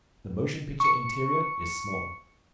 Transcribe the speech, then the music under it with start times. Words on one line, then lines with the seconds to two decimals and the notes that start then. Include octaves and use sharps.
The motion-picture interior is small.
0.80 C#6 C#7